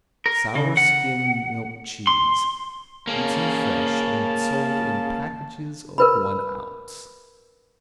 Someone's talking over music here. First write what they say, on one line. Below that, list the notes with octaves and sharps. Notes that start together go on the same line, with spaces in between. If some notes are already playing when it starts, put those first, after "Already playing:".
Sour skim milk cheese, eaten fresh and sold in packages of one ounce.
A#4
C#3
F#5
C6
C#3 A#3 C#4 A5
A#4 B4 B5